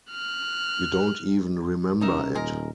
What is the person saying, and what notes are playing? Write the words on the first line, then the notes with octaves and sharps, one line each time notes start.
You don't even remember it.
F6 F#6
C2 C#4 D#4 A#4 E5
D#1 A#2 G#3 A#4